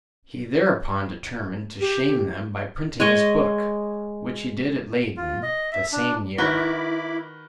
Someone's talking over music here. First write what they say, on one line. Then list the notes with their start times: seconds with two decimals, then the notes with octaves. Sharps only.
He thereupon determined to shame them by printing his book, which he did at Leyden the same year.
1.80 G4
3.00 G#3 C#5 D#5
5.17 F4
5.42 D#5
5.72 E5
5.92 D4
6.38 D#3 E4 F#4 B4 B5 D6 G7